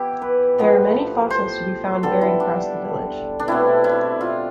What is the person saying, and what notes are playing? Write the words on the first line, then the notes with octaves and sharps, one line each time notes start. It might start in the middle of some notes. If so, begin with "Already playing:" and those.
There are many fossils to be found buried across the village.
Already playing: E3 B3 E4 G4
B4
A2 F3 B3
C5
D3 G3 B3 A4
E4
D4
D4
B2 A3 C4 E4
E4
F4